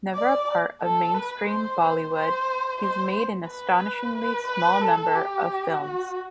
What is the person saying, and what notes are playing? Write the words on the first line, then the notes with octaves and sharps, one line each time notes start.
Never a part of mainstream "Bollywood", he's made an astonishingly small number of films.
D5
A4
B4
C5
C5
C5
C5
B4
B4
B4
A4
G4
F#4